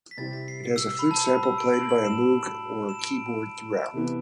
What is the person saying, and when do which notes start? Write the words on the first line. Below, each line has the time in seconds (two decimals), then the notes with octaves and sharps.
It has a flute sample played by a moog or keyboard throughout.
0.11 B6
0.17 C3 G3 C4 E4 G4 A6
0.33 B6
0.48 C7
0.64 C7
0.76 E6
0.99 B5
1.11 A5
1.27 B5
1.43 E6
1.58 D7
1.74 F#7
1.89 F#7
2.05 A2 G3 D4 F#4 E7
2.89 E7
2.99 D7
3.93 C3 E3 B3